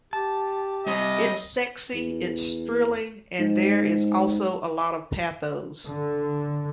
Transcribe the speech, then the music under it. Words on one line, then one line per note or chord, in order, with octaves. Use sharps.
It's sexy, it's thrilling and there is also a lot of pathos.
G4 A5
G3 C4 D#5
E2
G#2
D3